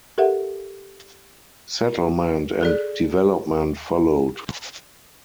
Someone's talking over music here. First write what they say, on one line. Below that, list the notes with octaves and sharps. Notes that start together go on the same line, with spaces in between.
Settlement and development followed.
G4 A4 A#4 E5 F#5
G#4 A4 D5